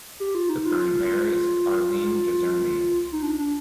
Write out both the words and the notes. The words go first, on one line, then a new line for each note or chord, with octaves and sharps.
The current mayor is Arlene Jezierny.
G4
F4
D#4
F4
F4
D#4
D4
D4